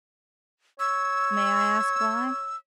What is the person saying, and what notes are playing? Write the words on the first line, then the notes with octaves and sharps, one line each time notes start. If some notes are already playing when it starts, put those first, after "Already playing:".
"May I ask why?"
C#5 E6